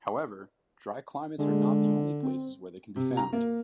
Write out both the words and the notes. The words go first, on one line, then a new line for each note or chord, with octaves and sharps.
However, dry climates are not the only places where they can be found.
D3 G#3
C4
C3
A#5
A#3